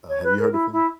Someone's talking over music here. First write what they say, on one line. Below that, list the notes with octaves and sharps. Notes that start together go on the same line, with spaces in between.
Uh, have you heard of him?
C#5
B4
A#4
E4
E4